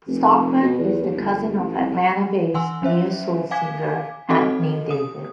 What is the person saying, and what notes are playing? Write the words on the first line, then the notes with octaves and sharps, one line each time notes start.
Stockman is the cousin of Atlanta-based neo-soul singer Anthony David.
F1
B2
E2
D#2
G1
A1
C2
E3 F#5 G#5 C6 E6
F#3 C#4 C5 E5
F5 G#5 D6 G#6 B6
C4 D#4 F#4 A4 D#5
D#6